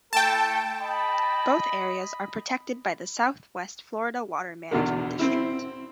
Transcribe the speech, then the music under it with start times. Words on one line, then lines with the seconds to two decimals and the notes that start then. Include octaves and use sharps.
Both areas are protected by the Southwest Florida Water Management District.
0.13 A3 E4 A4 G5 A5
0.80 D#5 B5
4.71 E2 B2 D3 D#3
5.19 C4 E4